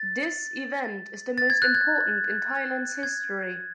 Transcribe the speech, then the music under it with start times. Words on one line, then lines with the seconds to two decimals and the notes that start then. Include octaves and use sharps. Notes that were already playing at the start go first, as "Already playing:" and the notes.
This event is the most important in Thailand’s history.
Already playing: A6
1.38 A6
1.50 G#6
1.62 F#6
1.75 G#6
3.03 G#6